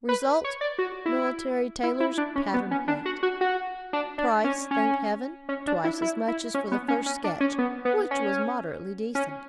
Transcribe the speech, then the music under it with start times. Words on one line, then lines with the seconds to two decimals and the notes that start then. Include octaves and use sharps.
Result, military tailor's pattern-plate. Price, thank Heaven, twice as much as for the first sketch, which was moderately decent.'
0.09 B4
0.44 C#5
0.61 D5
0.78 F#4
1.06 E4
1.83 E4
2.00 E4
2.18 D4
2.36 C#4
2.54 B3
2.71 C#4
2.88 D4
3.05 F#4
3.23 F#4
3.41 F#4
3.93 D4
4.18 D4
4.44 C#4
4.71 C#4
5.49 C#4
5.67 D4
5.84 E4
6.02 E4
6.28 E4
6.54 C#4
6.72 B3
6.88 C#4
7.06 C#4
7.24 D4
7.40 C#4
7.58 B3
7.85 B3
8.11 C#4
9.15 C#4